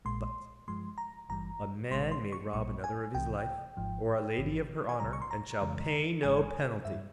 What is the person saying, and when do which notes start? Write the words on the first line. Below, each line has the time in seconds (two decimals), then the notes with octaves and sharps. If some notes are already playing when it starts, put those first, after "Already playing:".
But a man may rob another of his life, or a lady of her honor, and shall pay no penalty!
0.05 A#1 A#2 G#3 C6
0.68 G2 F3 G#3 C6
0.98 A#5
1.29 G#1 G2 E3 G3 A#5
1.91 A#1 A#2 G#3 C6
2.12 C6
2.32 C#6
2.53 A#1 A#2 G3 C#6
2.84 G#5
3.15 C2 C3 E3 G5
3.77 G#1 G#2 F3
4.38 G#1 G2 E3
4.89 G#5
5.00 C2 C3 G3 A#5
5.13 C#6
5.22 C6
5.31 A#5
5.61 F2 C#3 E3 G#3
6.23 G#1 G#2 E3 G#3 G#5
6.85 G2 G3 E5